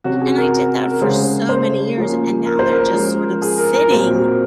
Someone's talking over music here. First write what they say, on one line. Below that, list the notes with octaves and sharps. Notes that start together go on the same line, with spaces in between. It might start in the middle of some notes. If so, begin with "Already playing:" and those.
and I did that for so many years, and now they're just sort of sitting,
C3 F#3 C#4 F#4
G#4
A#4
A#4
C#3 G#3 C#4 C5
C5
F3 A#3 C#4
A#4
C5
A#4
F3 G#3 C#4
G#4
A#4
A#4
A#2 F#3 C4